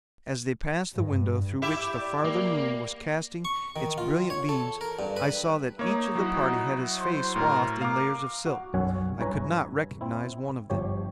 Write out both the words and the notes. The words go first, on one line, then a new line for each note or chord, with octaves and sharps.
As they passed the window through which the farther moon was casting its brilliant beams, I saw that each of the party had his face swathed in layers of silk--I could not recognize one of them.
G2
E4 G4 E5 D6
D5
A#3
C#6
D#3
F4
C#5
A4
A#4
G2
B4
A#3 D#4 C#5
F#3 E4 F#4
C5
A2 A#4
A#4 F5 D6
F#4
B1 F#2 C#5 F#5 G#5
G2 E4 B4 C#5 G#5 A#5
C4 E4
G1 F3 G4 C#5